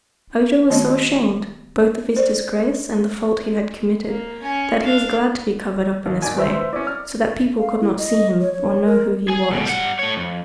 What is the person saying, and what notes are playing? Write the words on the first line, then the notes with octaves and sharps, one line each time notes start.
Ojo was so ashamed, both of his disgrace and the fault he had committed, that he was glad to be covered up in this way, so that people could not see him or know who he was.
D#3 A3 B3 F#4 C#5 D#5
C5 D5
A#3
C#4 G#5
D4 F5
D#2
D#2 D5 G#5
B4 C5 E5
C#4 E4 D5
F6
F5
E4
D#5
C#5
C#5
A#4
G#4 G#5
D2 B2
G3 F#5
A3 C#5
F2